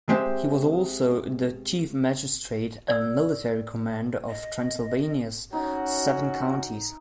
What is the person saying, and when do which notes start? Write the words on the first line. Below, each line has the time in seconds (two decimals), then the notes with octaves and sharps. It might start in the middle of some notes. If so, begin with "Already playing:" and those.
He was also the chief magistrate and military commander of Transylvania's seven counties.
0.09 G#3 C4 G4 E5
2.88 D5 E6
4.29 D#5
5.53 F#3 C#4 D#4 F#4